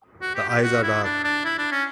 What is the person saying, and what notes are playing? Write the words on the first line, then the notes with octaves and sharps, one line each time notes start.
The eyes are dark.
F#4
G4
G4
F#4
E4
D4
D4
E4
D4
C#4